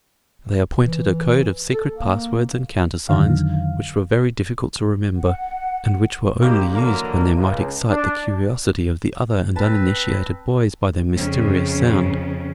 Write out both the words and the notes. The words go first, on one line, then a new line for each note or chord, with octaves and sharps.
They appointed a code of secret passwords and countersigns which were very difficult to remember, and which were only used when they might excite the curiosity of the other and uninitiated boys by their mysterious sound.
E3
A4
A#3
F2 D3 D#3 F#3 F5
F#5
G3 A#3 C4 D#4 F#4 G4
D3 E3 F#3 A#3
C#2
D4
C4 B4 A5
F2 C#3